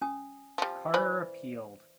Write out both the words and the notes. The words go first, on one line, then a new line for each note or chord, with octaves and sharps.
Carter appealed.
C#4 G#5 D#6
F3 G3
E3 C5 D5 B5